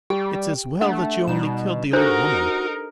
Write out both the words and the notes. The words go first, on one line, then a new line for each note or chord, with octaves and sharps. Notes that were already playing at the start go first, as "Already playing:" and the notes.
It's as well that you only killed the old woman.
G3 G4 G5
A3 D4 F#5
B2 G3 D#4 E7
D4 D#4 F#4 G4 A4 A#4 C5